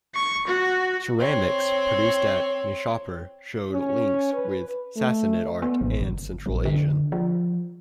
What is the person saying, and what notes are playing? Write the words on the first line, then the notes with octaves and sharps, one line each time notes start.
Ceramics produced at Nishapur showed links with Sassanid art and Central Asian.
C#6
F#4
C4 C#5
C#4
B4
A3
B3
A1
G1
A#1
D3
F3